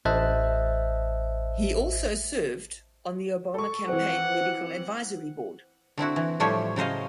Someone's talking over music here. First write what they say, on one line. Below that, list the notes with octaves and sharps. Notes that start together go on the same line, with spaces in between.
He also served on the Obama campaign Medical Advisory Board.
A1 C5 D#5 E5 A5 F#6
A4 C#6
E3 C4 F#5
D3 C4 E4 F#4
E3
A2 F3 G3 A3 C5 C#5
C#3 F#3 C5 D#5 F5